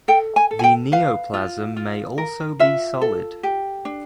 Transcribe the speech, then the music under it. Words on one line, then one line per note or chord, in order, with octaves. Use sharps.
The neoplasm may also be solid.
A4 G5
G#5
A4
G#5
G5
B4 F5
F4
F4
A#4
F4 E5
A4
G4
D4